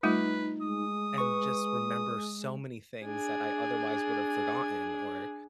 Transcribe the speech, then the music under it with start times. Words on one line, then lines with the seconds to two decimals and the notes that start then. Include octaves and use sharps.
and just remember so many things that I otherwise would have forgotten or
0.03 G3 A3 D#4 F4 B4
0.61 G#3 D#6
1.18 B4 C#6
3.06 D4 G#4